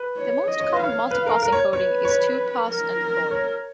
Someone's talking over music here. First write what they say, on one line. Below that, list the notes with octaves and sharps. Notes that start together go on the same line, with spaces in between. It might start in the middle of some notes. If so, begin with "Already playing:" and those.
The most common multi-pass encoding is two-pass encoding.
Already playing: B4
C#5
D#5
C#5
B4
C#5 F5
B4 F5
A#4
A#4
C#5
B4 C#5
C#5
A#4
C#5